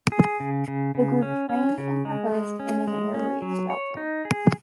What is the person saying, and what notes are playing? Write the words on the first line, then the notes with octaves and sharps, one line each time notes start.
The group trained and rehearsed in an air raid shelter.
G#4
C#3
C#3
C#3
C#4
C#4
C#3
G#3
G#3
C#4
G#3
C#4
F#3
C#5
D#4
G#4